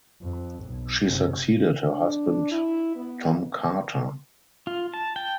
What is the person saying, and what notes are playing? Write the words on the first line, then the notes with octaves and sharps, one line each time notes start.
She succeeded her husband Tom Carter.
F2
B1
F#1 C3
D4
E4
B3
F4
A5
G5